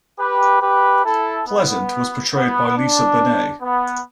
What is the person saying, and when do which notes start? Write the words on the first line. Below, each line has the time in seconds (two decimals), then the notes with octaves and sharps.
Pleasant was portrayed by Lisa Bonet.
0.18 G4 B4
0.62 G4 B4
1.04 E4 A4
1.48 B3
2.34 B3
2.77 D4
3.62 B3